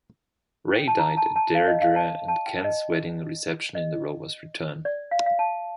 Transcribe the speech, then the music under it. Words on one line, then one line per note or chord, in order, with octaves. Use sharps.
Ray died at Deirdre and Ken's wedding reception in the Rover's Return.
G5
A5
A#5
A5
A5
F5
D#5
F5
A5
A5
G5
D#5
D#5
D5
F5
F5
A5